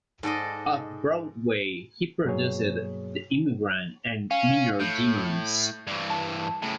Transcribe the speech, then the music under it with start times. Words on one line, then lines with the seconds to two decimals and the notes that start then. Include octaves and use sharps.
Off-Broadway, he produced "The Immigrant" and "Minor Demons".
0.23 G#2 A4 D5 D#5
2.25 G2 B2 F#3 A#3 G#4 C#5
4.31 C#4 F5
4.80 A2 G6
5.87 G2 E3
6.10 A5
6.62 A2 C#3 A5